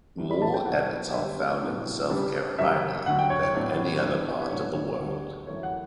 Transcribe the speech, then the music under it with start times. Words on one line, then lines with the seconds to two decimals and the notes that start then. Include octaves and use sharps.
More Evatts are found in South Carolina than any other part of the world.
0.18 F#2 E3 G3 D4
0.31 B5
0.42 A5
0.54 G5
0.66 B2 F#3 B3 D4 F#5
1.13 F#2 D3 G3 B3 D4 E5
1.62 A2 F#3 B3 D4
2.10 C#3 G3 D4
2.58 F#2 C#3 G3 C#4 E5
3.06 D2 D3 F#3 F#5
3.19 G5
3.30 C#5
3.42 C#5
3.55 A2 F#3 B3 D4
4.03 G2 E3 B3 D4
4.41 B4
4.50 A2 F#3 B3 D4 C#5
4.99 D2 D3 G3
5.47 F#2 E3 A3 C#5
5.63 F#5